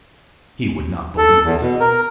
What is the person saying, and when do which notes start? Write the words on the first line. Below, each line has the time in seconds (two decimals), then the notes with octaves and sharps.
He would not believe it.
1.18 A4
1.45 E2
1.61 B2
1.80 A#4